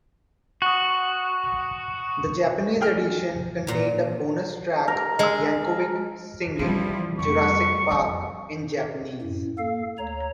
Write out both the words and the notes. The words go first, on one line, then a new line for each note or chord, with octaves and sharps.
The Japanese edition contained a bonus track of Yankovic singing "Jurassic Park" in Japanese.
F#4 C#6 D#6
G#4 G5 F6
A#2 A#5
A#4
G#3 D#5 E6
E3 F3 G3 E4
F2 C3 G3 A3 C#6
F2
F#2 A2
A#3 A4 F5
D2 C#5 A#5